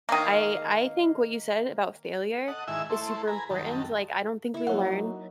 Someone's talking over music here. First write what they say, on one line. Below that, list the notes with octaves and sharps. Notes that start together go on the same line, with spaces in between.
I I think what you said about failure is super important, like, I don't think we learn
D#3 A#3
A4 D#5 F#5
G#2 D#3 E4 E5 G#5 E6
A3 E4 A4 C5
B4 G#5 A#5
F#2 D#3 G3 A5
E4 A4
F#3 A#3 D#4 C#5 F#5